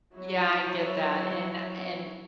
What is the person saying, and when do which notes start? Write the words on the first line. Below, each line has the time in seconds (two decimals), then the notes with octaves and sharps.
Yeah, I get that, and a and
0.14 F#3 E4